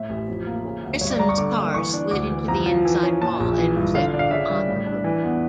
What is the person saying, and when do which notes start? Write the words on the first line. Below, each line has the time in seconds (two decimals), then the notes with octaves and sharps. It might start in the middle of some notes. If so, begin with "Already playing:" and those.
Grissom's car slid into the inside wall and flipped on the roof.
Already playing: A2 E5
0.10 A1
0.28 F2
0.47 A#3
0.65 C#3
0.83 D2
1.01 G2 C#5
1.10 D5
1.19 G3 A#5
1.29 C#6
1.37 D3 D6
1.56 A#3
1.74 E3 C#6
1.93 D4
2.11 D2 D6
2.30 E3
2.48 F2 A#5
2.66 F3
2.85 E3
3.03 C#4
3.21 A#2 A5
3.40 A#1
3.58 E3
3.76 G2
3.94 D3 F5
4.14 D4
4.19 F5
4.31 C#3 E5
4.50 G3
4.67 A2
4.86 D4
5.04 E3
5.23 E2